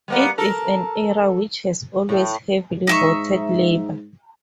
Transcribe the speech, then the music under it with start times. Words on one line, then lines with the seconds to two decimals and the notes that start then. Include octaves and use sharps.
It is an area which has always heavily voted Labor.
0.08 G3 A#3 B3
0.38 A4 A#4
2.09 A2
2.87 G#2 D#4 E5 C#6